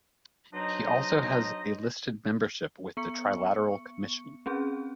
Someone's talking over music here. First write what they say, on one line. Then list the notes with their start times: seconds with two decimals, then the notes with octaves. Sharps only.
He also has a listed membership with the Trilateral Commission.
0.53 B2 F#3 D4 D#4 C5 D#5
2.97 B3 C#6 C#7
4.46 C4 C#4 G#4